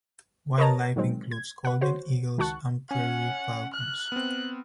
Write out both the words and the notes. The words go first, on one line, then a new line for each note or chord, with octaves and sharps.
Wildlife includes golden eagles and prairie falcons.
A#4 B4 C#5 D#5 A5 A#5
A#2 D#3 F#3 G#3 C4
G#6
B4 F#5
F#4 C5 C#5
C#2 D#3 F#4 A5 C#6 F#6
C#4 F#5 G#5
F6 F#6
B3 C4